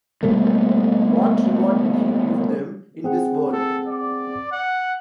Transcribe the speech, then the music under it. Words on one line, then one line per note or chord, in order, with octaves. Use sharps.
What reward did He give them in this world?
B2 G3 A3 A#3
C4 G#4 F#5
A4
D5
F#5